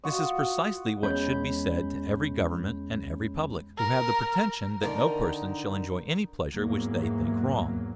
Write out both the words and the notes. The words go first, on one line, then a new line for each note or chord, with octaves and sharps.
This is precisely what should be said to every government and every public, who have the pretension that no person shall enjoy any pleasure which they think wrong.
F4 F#4 D#5
E2 G#3 C#4 C#5 B5 G6
A#4
D3 D#3 D#4 A#4
E2 G#2 F#3 A#3